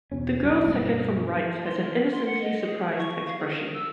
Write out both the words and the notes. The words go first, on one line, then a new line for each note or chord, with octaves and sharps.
The girl second from right has an innocently surprised expression.
E2 B2 C#4
B1 F#3 C4 D4
G2 B2 A#3 D4
C6
A#4
C6
F#5
D#5
G#4
C#6
F5
G#4
A#4
E6